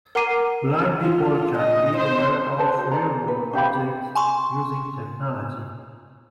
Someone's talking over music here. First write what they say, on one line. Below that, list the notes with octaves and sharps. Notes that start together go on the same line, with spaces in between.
Blind people can be aware of real world objects using technology.
A#4 F#5 A#5 D6 C7 D#7
F4
D#5
C5
G#4 B4 C5 A5
F#4 C5
G#4 D5 A#5
B4
D4 G4 F5 B5
G#4
G#5 C6 C#6